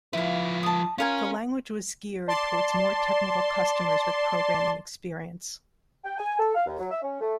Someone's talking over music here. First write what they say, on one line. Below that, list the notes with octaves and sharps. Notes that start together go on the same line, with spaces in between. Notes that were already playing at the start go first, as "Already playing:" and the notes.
The language was geared towards more technical customers with programming experience.
F3 E4 B4 F5
A5 D#6
C#4 F4 A#4 G#5
D5 A5 C6
G5
G#5
A4
F5
D#2
F#3
E5
C#4
A3